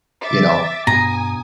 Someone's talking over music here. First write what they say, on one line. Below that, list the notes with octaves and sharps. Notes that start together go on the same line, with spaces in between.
you know,
E5 D6 A6
G2 B2 G#5 A#5 D#6